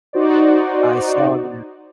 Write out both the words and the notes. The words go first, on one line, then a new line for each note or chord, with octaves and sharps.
I saw that,
D#4 F#4 C5 D5